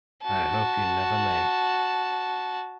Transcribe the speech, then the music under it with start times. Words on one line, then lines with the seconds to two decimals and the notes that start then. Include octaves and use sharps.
I hope you never may.
0.23 F#4 A5